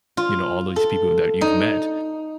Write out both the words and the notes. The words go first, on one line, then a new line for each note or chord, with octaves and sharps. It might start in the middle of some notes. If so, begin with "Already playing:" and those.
you know, all these people that you've met,
F4
A4
D#4